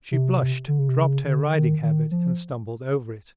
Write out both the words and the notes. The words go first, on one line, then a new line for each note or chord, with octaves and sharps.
She blushed, dropped her riding habit, and stumbled over it.
C3
D3
C#3
C3
C#3
D3
D#3
D#3
F3